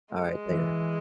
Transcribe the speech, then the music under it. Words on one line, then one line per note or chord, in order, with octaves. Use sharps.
Alright, later.
G#3
E3